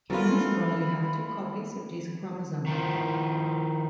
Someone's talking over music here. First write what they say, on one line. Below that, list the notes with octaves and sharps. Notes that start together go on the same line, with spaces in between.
Humans normally have two copies of this chromosome.
E3 G3 B3 C#4 F4 A4 A#4 B5
D#3 F3